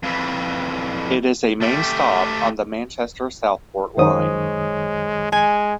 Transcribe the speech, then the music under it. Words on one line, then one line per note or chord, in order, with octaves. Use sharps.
It is a main stop on the Manchester-Southport Line.
F2 E3
A3 G4
F#2 D#3 G#3 C5 C#5 D#6
G#3 G#5